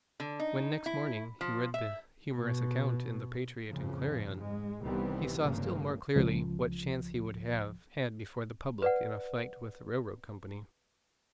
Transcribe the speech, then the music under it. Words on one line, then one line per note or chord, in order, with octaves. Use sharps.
When next morning, he read the humorous account in the Patriot and Clarion, he saw still more clearly what chance he would have had before the public in a fight with the railroad company.
D3
D#4
E4
F3
E5
B2
F2 A2 C#3 F3
G#2 G#3
C2 D#3 E3 G3 B3 C4
F1 G2 C#3 E3 A#3
C#2 F3
B4 D5 F#5